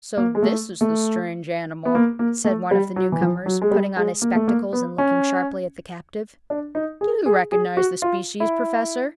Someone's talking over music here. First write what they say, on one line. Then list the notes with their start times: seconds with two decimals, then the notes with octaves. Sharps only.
"So this is the strange animal," said one of the new-comers, putting on his spectacles and looking sharply at the captive; "do you recognize the species, Professor?"
0.17 A#3
0.35 G#3
0.42 A3
0.81 A3
1.85 B3
1.95 A#3
2.19 A#3
2.45 A3
2.71 G3
2.96 F#3
3.12 E3
3.21 F3
3.46 F#3
3.62 G#3
3.71 G3
3.97 G#3
4.22 A#3
4.35 A3
4.48 A#3
4.73 B3
4.98 C#4
6.50 D4
6.75 D#4
7.01 G#4
7.26 G#4
7.52 G#4
7.77 F#4
8.02 F4
8.40 E4